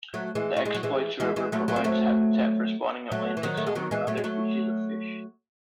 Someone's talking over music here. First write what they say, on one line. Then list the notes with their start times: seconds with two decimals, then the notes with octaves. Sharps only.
The Exploits River provides habitat for spawning Atlantic Salmon and other species of fish.
0.14 F#3 A3
0.35 E3 G#3
0.57 A3
0.65 G#3
0.75 F#3
0.83 E3 G#3
1.20 E3 G#3
1.36 E3 G#3
1.52 F#3 A3
1.68 F#3 A3
1.76 C4
1.84 F#3 A3
3.12 F#3 A3
3.37 E3
3.43 D#3 F#3
3.57 A3
3.67 G#3
3.75 D#3 F#3
3.91 E3 G#3
4.07 F#3 A3
4.18 G#3
4.24 F#3 A3